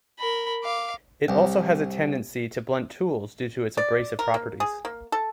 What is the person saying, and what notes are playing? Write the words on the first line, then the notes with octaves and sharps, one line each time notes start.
It also has a tendency to blunt tools due to its abrasive properties.
A#4 B5
F5 D6
C2
D5
A#4
A#3
G#4
A#3
A4